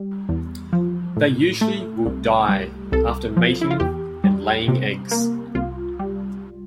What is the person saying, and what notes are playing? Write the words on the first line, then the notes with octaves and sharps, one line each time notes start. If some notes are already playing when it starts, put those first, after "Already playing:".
They usually will die after mating and laying eggs.
Already playing: G3
E2
F3
A2
A3
C2
G3
C2 A4
F3
E4
F4
E2 G4
G3
C3
A#3
C2 F4
G3